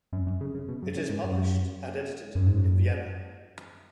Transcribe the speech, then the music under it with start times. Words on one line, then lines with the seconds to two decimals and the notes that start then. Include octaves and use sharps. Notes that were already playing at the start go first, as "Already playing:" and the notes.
It is published and edited in Vienna.
0.13 F#2
0.27 F#2
0.41 C#3
0.55 C#3
0.68 B2
0.82 F#2
0.96 C#3
1.09 G#2
1.24 F#2
2.35 F#2
2.47 G#2
2.58 F#2